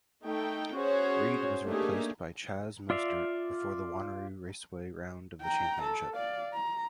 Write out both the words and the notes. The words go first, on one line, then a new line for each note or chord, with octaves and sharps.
Reid was replaced by Chaz Mostert before the Wanneroo Raceway round of the championship.
A3 D#4 G5
C#4 F#4 G#4 C5 C#5
A3 A#3 D4 D#4 G4 G#4
F4 D5 E5 F5
G5 A#5
A4
D5 F5
A#5